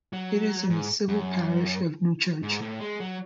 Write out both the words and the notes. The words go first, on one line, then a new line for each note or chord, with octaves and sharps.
It is in the civil parish of Newchurch.
F#3
G#2
F#2
G#2
A2
G#3
F#3